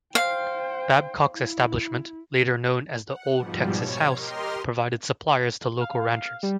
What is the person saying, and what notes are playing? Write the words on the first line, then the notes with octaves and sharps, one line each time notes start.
Babcock's establishment, later known as the Old Texas House, provided supplies to local ranchers.
C5 F5 G5
E4
F#5
G#2 B2 F3 G3
C#5 G#6
G4 A#4 D#5 C6 F6
F5
G3